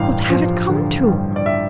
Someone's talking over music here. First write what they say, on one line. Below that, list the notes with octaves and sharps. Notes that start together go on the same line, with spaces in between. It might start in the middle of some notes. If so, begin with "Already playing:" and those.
"What have it come to?"
Already playing: A1 G2 F5
F3
D3
G2
D5
E5